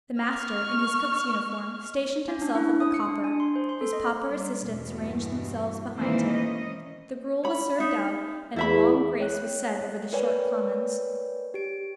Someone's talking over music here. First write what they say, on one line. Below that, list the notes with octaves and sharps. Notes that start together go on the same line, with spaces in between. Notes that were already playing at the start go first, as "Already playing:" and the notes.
The master, in his cook's uniform, stationed himself at the copper; his pauper assistants ranged themselves behind him; the gruel was served out; and a long grace was said over the short commons.
C#6 F6
C#4
D4
E4
D#6
C#7
D4
G#5
C6
C5
C6
A4
D#5
G3
E2 G2 B2
D#3 E3 G#3 A#3 C4 C5
C#4 D#5
C#5 B5
D#4 E5
E2 E4 E5 B5
C#5 G5 F#6
A#4 B4 C#5 D5 G5 G#5
G4 D7